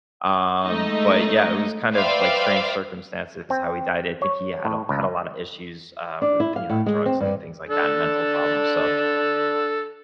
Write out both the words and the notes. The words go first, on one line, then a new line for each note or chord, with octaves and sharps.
um, but yeah, it was kind of, like, strange circumstances how he died, I think he had a had a lotta issues, uh, with, you know, drugs and things like that, mental problems, so,
G#3 A3 D#4 D#5
B4 C5 D5 E5 F5 G5
C4
C#5
A2
C#2
D4
E4
F5
A2
G#3
C4
G2
D4 A4